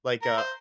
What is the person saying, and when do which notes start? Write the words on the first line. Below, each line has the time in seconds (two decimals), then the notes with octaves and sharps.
Like, uh
0.22 A#4
0.38 C5